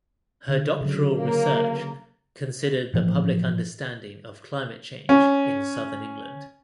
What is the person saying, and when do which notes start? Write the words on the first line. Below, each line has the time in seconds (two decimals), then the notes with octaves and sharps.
Her doctoral research considered the public understanding of climate change in Southern England.
0.49 D3
0.81 C#3 F#3
1.18 A#3
2.94 A2 E3 F3
5.09 C#4